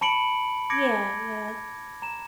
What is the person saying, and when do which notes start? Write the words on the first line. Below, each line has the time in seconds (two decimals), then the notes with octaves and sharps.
Yeah, yeah.
0.01 A5 B5 C#6 C#7 D7 F#7
0.70 D6 G#6 A#6 C#7 D7
2.02 A#5 E7